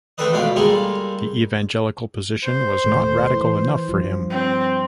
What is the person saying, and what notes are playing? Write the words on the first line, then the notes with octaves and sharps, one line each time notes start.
The evangelical position was not radical enough for him.
A3 C4 D4 A4 B4 D#5
C#2 B2 D4 F5 B5
G3 G#3 A#3 F4 A4
C5
D#1 A2 A3
E3
G2 F3
C4